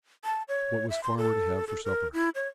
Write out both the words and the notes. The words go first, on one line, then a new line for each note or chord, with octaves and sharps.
What was farmer to have for supper?'
A5
C#5
E5
C6
A4
A4
A#4
E4
C#5